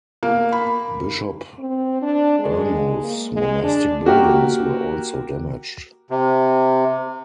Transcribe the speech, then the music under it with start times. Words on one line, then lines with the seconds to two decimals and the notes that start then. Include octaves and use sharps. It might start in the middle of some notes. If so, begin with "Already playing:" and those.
Bishop Ernulf's monastic buildings were also damaged.
0.23 A#3
0.53 B5
1.59 C4
2.02 D4
2.39 G#3
3.01 A#3
3.33 G#3
3.64 D4
4.06 A#3 F#4 G4 A#4
6.10 C3